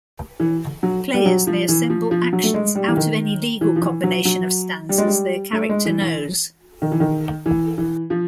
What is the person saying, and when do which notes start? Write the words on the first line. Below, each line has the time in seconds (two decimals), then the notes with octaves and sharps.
Players may assemble actions out of any legal combination of stanzas their character knows.
0.40 E3
0.83 F#3
1.14 G3
1.26 F#3
1.47 F3
1.68 E3
1.90 F3
2.11 F3
2.33 F#3
2.44 A3
2.54 G#3
2.75 G3
2.88 E3
2.97 D#3
3.61 E3
3.76 F3
3.82 E3
4.04 F#3
4.25 F#3
4.89 G3
4.98 G#3
5.07 G3
5.53 A3
5.69 G#3
5.85 E3
6.01 E3
6.82 D#3
6.92 E3
7.00 D#3
7.46 E3
7.78 E3
8.10 F3